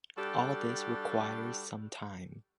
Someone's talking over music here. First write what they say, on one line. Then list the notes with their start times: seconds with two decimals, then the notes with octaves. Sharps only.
All this requires some time.
0.17 G3 D4 F#4 G4 A4